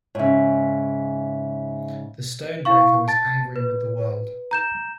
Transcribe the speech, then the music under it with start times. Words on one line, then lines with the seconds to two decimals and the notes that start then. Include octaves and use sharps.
The stone-breaker was angry with the world.
0.15 G#2 C#3 C#5 E5
2.65 E4 F5 C#6
3.08 A5 A6
3.56 B4
4.51 A#5 G6 E7